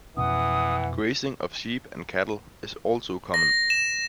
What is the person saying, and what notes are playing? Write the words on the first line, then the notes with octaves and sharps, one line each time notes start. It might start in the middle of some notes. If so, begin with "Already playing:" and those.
Grazing of sheep and cattle is also common.
F2 B2 E3 C#4 F#5 D#6
A#6
E7